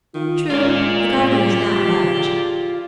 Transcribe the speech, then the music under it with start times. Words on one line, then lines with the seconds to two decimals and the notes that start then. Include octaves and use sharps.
"True, the garden is not large."
0.14 D#3 F4
0.50 G#3 F4 A#4 D5
1.31 G4 G#4